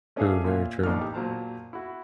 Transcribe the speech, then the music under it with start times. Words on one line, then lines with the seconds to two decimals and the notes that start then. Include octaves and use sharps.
True, very true.
0.16 A3 C#4 D4 G#4 E5 F5
0.45 A#2 E5 F5
0.83 A1 D#2 D4 D#4 F6
1.01 G4
1.14 A#2 F#3 C5 A5 A#5
1.73 E4 F#4